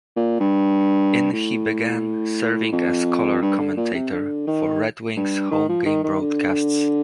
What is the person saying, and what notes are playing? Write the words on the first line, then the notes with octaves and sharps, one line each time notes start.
In he began serving as color commentator for Red Wings home-game broadcasts.
A#2
G2
A2
F2
G2
D3
A#2
C3
D3
D#3
G2
D#3
F3
D#3
D#3
D3